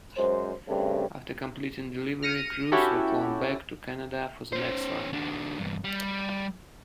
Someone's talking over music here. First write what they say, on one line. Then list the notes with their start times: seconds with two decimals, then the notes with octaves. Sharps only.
After completing delivery, crews were flown back to Canada for the next run.
0.17 F#2 G#3 C5
0.67 G2 C#3 G3 A3 C4
2.23 F6 A#6 C#7 D#7
2.72 C#4 E4 F#4 G4 A4
4.53 C#4 C5
5.12 D#2 D4
5.59 E2 G2
5.84 G3